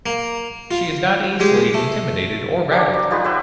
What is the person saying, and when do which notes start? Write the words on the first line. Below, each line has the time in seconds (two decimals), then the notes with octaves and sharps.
She is not easily intimidated or rattled.
0.06 A#3
0.71 F4
1.40 G#3 G4 G#4
1.74 A3
2.71 F#3 D4 G4
2.94 D5
3.10 D#4 F4 G4 B4
3.24 B4 C#5 E5 F#5